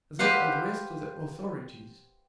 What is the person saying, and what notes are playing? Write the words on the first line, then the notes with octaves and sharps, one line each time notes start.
They addressed to the authorities.
G4 B4 C5 F5 F#5